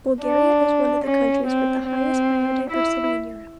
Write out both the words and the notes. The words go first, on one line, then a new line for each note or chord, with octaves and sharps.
Bulgaria is one of the countries with highest biodiversity in Europe.
D4
C#4
C4
C4
E4